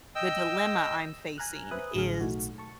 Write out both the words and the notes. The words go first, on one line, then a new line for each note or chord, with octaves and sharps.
the dilemma I'm facing is
D#5 G5 E6
G#5 A#5 F6 F#6
B4 C5 E5 G#5 D#6 F#6
A1 A2 D3 F#3 G#4 F6
B1 A3 D#4 F#4
A5 C#6